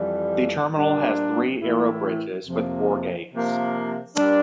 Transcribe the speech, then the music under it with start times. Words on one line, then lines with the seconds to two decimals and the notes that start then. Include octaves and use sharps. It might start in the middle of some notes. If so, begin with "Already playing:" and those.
The terminal has three aerobridges with four gates.
Already playing: F2 E3 G3
0.74 A#2 G3 D4
1.60 A2 E3 A3 E4
2.45 F2 C3 F3 A#3
3.31 C3 F3 A#3
4.16 A#2 G3 D4